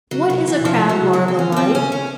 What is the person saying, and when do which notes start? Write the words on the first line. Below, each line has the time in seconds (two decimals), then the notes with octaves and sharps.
What is a Crab larva like?
0.11 C#3 F#3
0.30 C3 F#3
0.47 E3
0.61 B2
0.65 C3 F3
0.89 F#3
1.01 C#3
1.13 G#3
1.28 C4
1.34 F3
1.38 E3 C#4
1.52 B3
1.56 D#3 C4
1.74 C#3 C#4
1.92 C#3 C#4